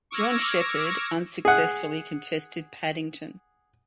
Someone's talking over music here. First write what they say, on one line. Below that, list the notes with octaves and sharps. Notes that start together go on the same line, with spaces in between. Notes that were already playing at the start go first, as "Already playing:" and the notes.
John Shepherd unsuccessfully contested Paddington.
C#6 D6 E6 F6 G#6 A#6
G#4 F#5